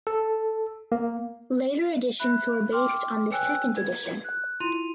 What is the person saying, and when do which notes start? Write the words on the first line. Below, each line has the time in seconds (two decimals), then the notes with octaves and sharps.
Later editions were based on this second edition.
0.07 A4
0.92 A#3
2.19 E5 B5 F#6
2.72 G5 C6 D6 F6
3.31 B4 C#5 G5 G#5 E6 F#6
3.76 B4 G#6
4.24 F#6
4.60 E4 F4 C6 D#7 F7